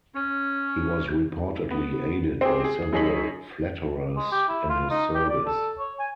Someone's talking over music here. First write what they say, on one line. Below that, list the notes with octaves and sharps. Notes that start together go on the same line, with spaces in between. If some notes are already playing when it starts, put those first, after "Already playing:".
He was reportedly aided by several flatterers in his service.
C#4
B3
C4 G4 G#4
G#4
F#2 D#4 G#4 C#5 B6 F#7
G#3
G4
E4
F4
D#4
G4
D5
A4
C#5
G#5